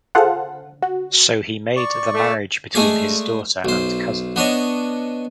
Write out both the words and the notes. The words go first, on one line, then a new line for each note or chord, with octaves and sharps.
So he made the marriage between his daughter and cousin.
F4 G#4 A4 C5 F5 F#5
F#4
D5 C#6
A3
G#3 A3 G#4 D5
B1 C5
B3 D4 C#5 D#5